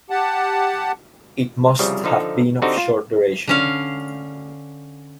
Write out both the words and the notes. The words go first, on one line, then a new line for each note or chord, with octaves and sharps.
It must have been of short duration.
G4 F#5 A5
C2 C#3 F3 G3
D3 F3 D#4 A4 A#5
D3 C4 D#4 F#4 G4 A4
F4
D3 C#4 F5